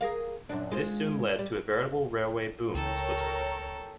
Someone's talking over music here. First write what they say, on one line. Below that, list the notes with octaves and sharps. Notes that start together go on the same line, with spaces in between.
This soon led to a veritable railway boom in Switzerland.
G#4 A#4 F5
F#2 A#2 D4
G#3 F4 C5
G3
C#2 A4 A#4 C#5 G5